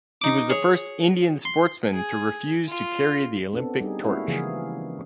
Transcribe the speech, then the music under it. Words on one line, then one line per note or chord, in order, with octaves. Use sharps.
He was the first Indian sportsman to refuse to carry the Olympic torch.
D#4 D6
G#4 C#5
C6
G#4
F4
B3 C4 D4 A4
G3 D#4 G#4
G#3 A#3 C#4 E4 F#4 F5
C#3 E3 F3 A#3 G#4 F5